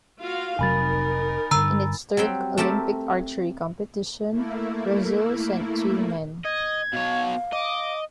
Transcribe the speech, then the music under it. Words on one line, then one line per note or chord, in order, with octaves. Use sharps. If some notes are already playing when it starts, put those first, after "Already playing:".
In its third Olympic archery competition, Brazil sent two men.
F4 F#4 F5
F1 C3 F#3 D#4 A#4 G#5 B5 A6
G2 D3 A#5 E6
F#3 G3 C4 G5
A3 C4 G4 A#4 A5
A3 A#3 E4
D#5 G#6
B2 C#5 F5
D#5 D6